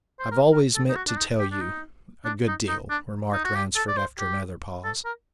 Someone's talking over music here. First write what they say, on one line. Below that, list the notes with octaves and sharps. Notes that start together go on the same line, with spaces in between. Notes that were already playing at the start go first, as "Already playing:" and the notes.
"I've always meant to tell you--a good deal," remarked Ransford, after another pause.
C5
A#4
A#4
A4
D#4
F#4
D4
D#4
G4
D4
D#4
D4
D#4
D#4
D4
D#4
F#4
G4
A4
D5
C5
G4
A4
A#4